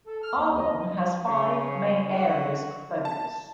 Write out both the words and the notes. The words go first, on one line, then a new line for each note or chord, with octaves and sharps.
Argonne has five main areas of focus.
A4
F6
D#2
D#5
C3
G3
C#3
F#4
A5